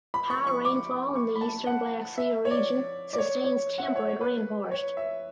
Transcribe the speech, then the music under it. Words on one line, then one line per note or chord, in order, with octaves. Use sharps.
High rainfall in the eastern Black Sea Region sustains temperate rainforest.
B5
C#6
C#6
D6
C#6
B5
A5
F#5
E5
C#5
D5
D5
C#5
C#5
F#5
E5
C#5
C#5
B4
C#5
E5